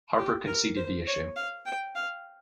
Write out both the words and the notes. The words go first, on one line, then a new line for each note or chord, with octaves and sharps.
Harper conceded the issue.
G4
A#4
C5
C#5
F5
G5
F5